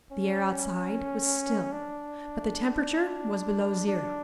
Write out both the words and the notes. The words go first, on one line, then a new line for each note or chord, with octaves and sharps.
The air outside was still, but the temperature was below zero.
C#4
D4
D4